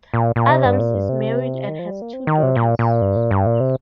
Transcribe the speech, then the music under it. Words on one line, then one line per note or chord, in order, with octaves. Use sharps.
Adams is married and has two daughters.
A#2
A#2
C3
G2
A#2
G2
C3
D#3
F3
G3
A#3
C4
D#3
C3
A#2
A#2
G2
A#2
G2
A#2
C3